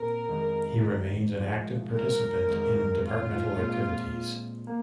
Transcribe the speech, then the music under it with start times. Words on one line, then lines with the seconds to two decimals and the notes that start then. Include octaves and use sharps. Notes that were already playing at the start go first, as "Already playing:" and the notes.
He remains an active participant in Departmental activities.
Already playing: A#2 C4 A#4
0.28 F2 D#3 G#3
1.37 G#2 F3 G#3
1.92 A#4
2.48 F2 D#3 G#3 C4
3.03 F4
3.57 A#2 G#3 C4
4.67 A#3